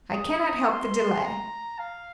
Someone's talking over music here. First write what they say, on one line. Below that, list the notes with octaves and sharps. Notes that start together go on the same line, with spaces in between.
"I cannot help the delay."
D#6
C6
A#5
F5